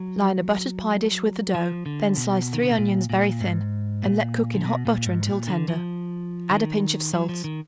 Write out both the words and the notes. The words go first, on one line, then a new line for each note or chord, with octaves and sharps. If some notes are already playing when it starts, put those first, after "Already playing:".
Line a buttered pie-dish with the dough; then slice three onions very thin and let cook in hot butter until tender; add a pinch of salt.
Already playing: F#3
F3
D3
B2
D#3
D3
B2
A#2
A#2
G#2
A#2
D3
B2
A#2
G#2
A#2
D3
F3
D#3
F#3
F3
D#3